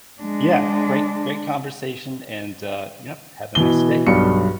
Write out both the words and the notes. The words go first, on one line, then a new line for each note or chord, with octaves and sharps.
Yeah. Great great conversation and, uh, yep, have a nice day.
G#3 D4
B2 E3 G7
B1 G2 C#7